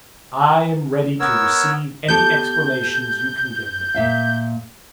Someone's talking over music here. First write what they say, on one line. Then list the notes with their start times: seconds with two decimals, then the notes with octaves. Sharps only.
"I am ready to receive any explanations you can give me."
1.20 B3 A#4 C#5 E6
2.08 B3 G4 A4 G6
3.94 A#2 E5 F5